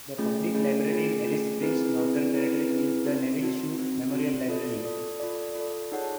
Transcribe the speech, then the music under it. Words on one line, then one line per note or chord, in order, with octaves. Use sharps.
The public library in Alice Springs, Northern Territory is the Nevil Shute Memorial Library.
A3 C#4 F4 G#4
A3 C#4 F4 G#4
A3 C#4 F4 G#4
A3 C#4 F4 G#4
C4 E4 G#4 B4
C4 E4 G#4 B4
C4 E4 G#4 B4
C4 E4 G#4 B4
C4 D#4 F#4
C4 D#4 F#4
C4 D#4 F#4
C4 D#4 F#4
F4 A4 D5
F4 A4 D5
F4 A4 D5
F4 A4 D5
D#4 G#4 C#5 F#5 A5